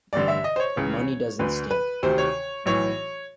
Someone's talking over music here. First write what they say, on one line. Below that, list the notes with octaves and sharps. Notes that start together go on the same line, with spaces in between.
Money doesn’t stink.
A1 G2 D3 D5
E5
D#5
C5
C#5
C#2 C#3 E3
D2 D3 B4
B4
D2 C3 D#3 C5
C#5
B1 A2 E3 C#5